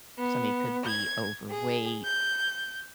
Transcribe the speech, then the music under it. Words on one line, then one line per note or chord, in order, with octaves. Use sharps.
Somebody could be overweight.
B3
G#6
G#4
G6